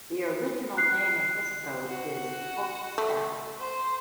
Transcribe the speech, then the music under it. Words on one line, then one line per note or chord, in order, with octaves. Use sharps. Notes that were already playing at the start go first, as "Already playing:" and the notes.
The original name of this code is "book stack".
F#6 C7
F#4
A3
C5